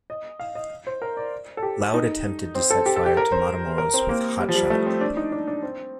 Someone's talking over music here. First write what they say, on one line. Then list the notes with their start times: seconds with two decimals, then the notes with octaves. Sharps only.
Lowd attempted to set fire to Matamoros with "hot shot".
0.10 D#5
0.40 F5
0.55 D#5
0.87 C5
1.02 A#4
1.17 D5
1.57 A4
1.63 G4
1.94 D#4
2.55 C4
2.70 A4
2.86 G4
2.96 A4
3.06 G4
3.17 A#4
3.32 C5
3.78 A#4
3.94 C4
4.09 A#3
4.40 G3
4.49 F3
4.55 G3
4.70 A3
4.86 C4
5.01 D4
5.17 D#4
5.32 D4
5.47 D4
5.63 C4